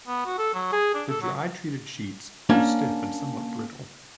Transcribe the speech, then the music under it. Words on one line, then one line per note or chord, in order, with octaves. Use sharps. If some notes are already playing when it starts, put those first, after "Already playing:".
The dry treated sheets were stiff and somewhat brittle.
B3
F#4
A4
F#3
G#4
D4
A4
F#3
A#3 C#4 D4